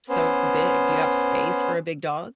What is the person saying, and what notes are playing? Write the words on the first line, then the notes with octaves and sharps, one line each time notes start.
so big? Do you have space for a big dog?
B3 C#4 C5